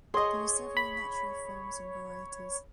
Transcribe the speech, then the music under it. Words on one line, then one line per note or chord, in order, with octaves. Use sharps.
There are several natural forms and varieties.
G#4 C#5 D#5 C6
B5